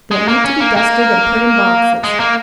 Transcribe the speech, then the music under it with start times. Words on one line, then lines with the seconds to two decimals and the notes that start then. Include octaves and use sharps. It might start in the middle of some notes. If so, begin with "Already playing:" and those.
They'll need to be dusted and put in boxes.
0.11 G#3
0.28 A#3
0.45 C#4
0.60 A#3
0.76 A#3
2.04 G#3
2.20 A#3